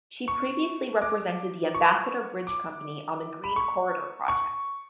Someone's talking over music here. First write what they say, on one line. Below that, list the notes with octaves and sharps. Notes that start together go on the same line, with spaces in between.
She previously represented the Ambassador Bridge Company on the Green Corridor Project.
C#6
D6
C#6
D6
B5
C#6
C#6